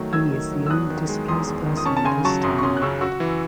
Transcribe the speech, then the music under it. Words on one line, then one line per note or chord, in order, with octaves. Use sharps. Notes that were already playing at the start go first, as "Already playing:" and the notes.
He is the only displaced person this time around.
Already playing: D#3 F#3 A3
D#3 E6 G#6
D#3
F#3
E6
E2 D#6 F#6
D#3
G#3
E2 C6 D#6
E2
D#3
D#6
C#4 A5 C#6
A5
C#3 G#5 C6
F#3 A5 C#6
F#2 C6 D#6
C#6
C#4 C6 D#6
F#6
C#3 C#6 E6
F#4 C#6 E6
E3